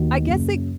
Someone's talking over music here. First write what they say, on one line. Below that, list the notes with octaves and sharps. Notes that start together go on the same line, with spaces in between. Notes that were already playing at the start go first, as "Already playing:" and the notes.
I guess it
Already playing: D#2 D#3 F#4
F#2 C#3 A#3